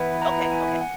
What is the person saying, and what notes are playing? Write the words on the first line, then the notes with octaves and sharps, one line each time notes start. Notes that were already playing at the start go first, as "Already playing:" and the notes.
Okay, okay.
Already playing: E3 B3 E4 B4
A#5
G#5
F#5